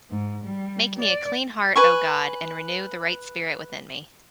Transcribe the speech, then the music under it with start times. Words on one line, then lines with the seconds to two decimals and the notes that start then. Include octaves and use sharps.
Make me a clean heart, O God: and renew a right spirit within me.
0.11 G#2
0.44 G3
0.99 D5
1.76 B4 G#5 C#6